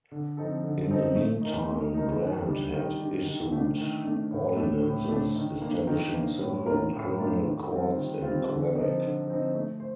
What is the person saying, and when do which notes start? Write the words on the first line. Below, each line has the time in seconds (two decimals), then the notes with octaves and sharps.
In the meantime, Grant had issued ordinances establishing civil and criminal courts in Quebec.
0.12 D3
0.37 F3 C4 D#4 A4
0.63 D3
0.90 F3 C4 D#4 A4
1.15 A3
1.42 D#4 A#4
1.68 A3
1.94 D#4 A#4
2.21 D#3
2.46 G3 D4
2.73 D#3
3.00 G3 D4
3.25 D#3
3.52 A3 D4
3.78 D#3
4.04 A3 D4
4.31 A2
4.56 A3 D4 A4
4.82 A2
5.09 A3 D4 A4
5.35 D#3
5.62 A#3 D4
5.87 D#3
6.13 A#3 D4
6.39 A2
6.66 A3 D4 F4 A#4
6.93 A2
7.18 A3 D4 F4 A#4
7.45 D#3
7.71 G3 C4 F4
7.96 D#3
8.22 G3 C4 F4
8.49 D3
8.75 F3 C4 D#4
9.02 D3
9.27 F3 C4 D#4
9.54 A3
9.80 C5